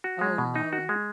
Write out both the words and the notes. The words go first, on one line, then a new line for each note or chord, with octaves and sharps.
Oh, no.
F#4
G#3
B2
D#4
F#4
G#3